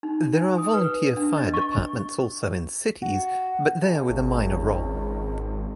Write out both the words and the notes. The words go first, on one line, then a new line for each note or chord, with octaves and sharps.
There are volunteer fire departments also in cities, but there with a minor role.
D#4
G#5
D#6
B4
D4
D#5
C#6
F#4
C#2
G#1